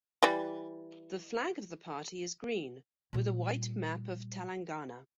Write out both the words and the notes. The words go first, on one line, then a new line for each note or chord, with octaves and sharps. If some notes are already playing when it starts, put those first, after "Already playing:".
The flag of the party is green, with a white map of Telangana.
E3 G3
A#2 G3